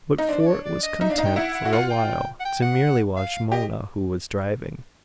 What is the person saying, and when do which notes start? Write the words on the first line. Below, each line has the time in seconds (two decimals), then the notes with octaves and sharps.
But Fort was content for a while to merely watch Mona, who was driving.
0.18 D#4
0.29 D4 C5
0.41 D5
0.47 C#5
0.65 D5
0.83 D#5
1.01 D#4 E5
1.10 D4 F5
1.18 D#4
1.25 G5
1.36 E4 F#5
1.54 F#5
1.65 F#4
1.72 F4 F#5
1.90 G5
2.40 F#5
2.45 G5
2.62 F#5
3.16 F5
3.52 G4 D#5